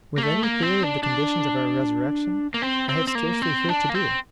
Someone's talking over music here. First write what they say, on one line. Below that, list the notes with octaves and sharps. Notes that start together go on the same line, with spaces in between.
With any theory of the conditions of our resurrection, I have scarcely here to do.
A#3
A3
A#3
C4
D4
D4
A#3
C4
C4
C4
A#3
C4
D4
A#3
C4